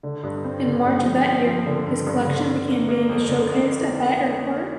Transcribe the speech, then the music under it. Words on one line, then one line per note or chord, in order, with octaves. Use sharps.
In March of that year, his collection began being showcased at that airport.
D3
G2
C4
D3
G2
F3
C4
F3
D3
G2
G2
D3
D3
A#3
A#3
F2
D3
F2
A#3